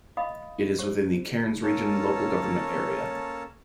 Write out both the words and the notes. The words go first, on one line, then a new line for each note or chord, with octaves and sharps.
It is within the Cairns Region local government area.
D#5 F5 B5 D#6
G4 C5
A#3 C#4 A4 C#5 A5